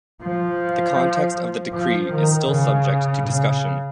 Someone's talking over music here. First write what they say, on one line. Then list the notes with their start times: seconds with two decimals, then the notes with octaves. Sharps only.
The context of the decree is still subject to discussion.
0.22 F3
1.74 F3
2.13 D#3
2.50 C#3
3.26 C#3